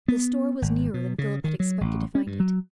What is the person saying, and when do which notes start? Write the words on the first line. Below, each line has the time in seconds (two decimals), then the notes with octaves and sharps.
The store was nearer than Philip had expected to find it.
0.08 B3
0.62 G#1
0.94 B2
1.18 C#3
1.44 D#3
1.60 F#3
1.81 A1
2.15 C#4
2.27 G2
2.40 F#3